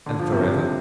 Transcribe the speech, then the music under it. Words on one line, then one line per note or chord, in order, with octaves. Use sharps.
And forever?
D3
F3
C3